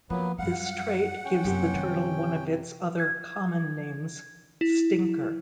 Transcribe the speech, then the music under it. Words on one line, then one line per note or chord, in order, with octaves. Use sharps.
This trait gives the turtle one of its other common names, "stinker".
F3 F#3 A#3 B3 B4
F#2 G3 F5 F#5
C#4 G5
F#2 C3 A#3 G4
D#3
G#6
E4